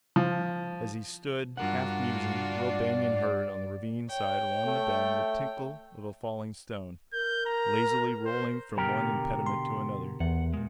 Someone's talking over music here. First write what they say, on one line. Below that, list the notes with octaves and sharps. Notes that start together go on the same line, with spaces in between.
As he stood, half musing, Will Banion heard, on the ravine side around the bend, the tinkle of a falling stone, lazily rolling from one impediment to another.
F3
G2 D4 F4 F#4 A#4 F#5
D5
C#5 G5
A3
A#4 G6
A#5
C5
B2 D3 G4 A#4
C6
E2 F#5
A#2 G#3